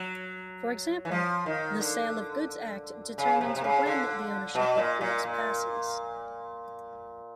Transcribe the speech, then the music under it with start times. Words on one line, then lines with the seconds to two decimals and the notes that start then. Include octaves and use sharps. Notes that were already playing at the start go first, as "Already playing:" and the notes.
For example, the Sale of Goods Act determines when the ownership of goods passes.
Already playing: F#3
1.05 E3
1.11 F3
1.46 D#3
1.81 D3
3.18 C#3
3.41 C3
3.56 C3
3.64 C#3
3.86 D3
4.55 B2
4.77 A#2
5.01 A#2
5.24 A#2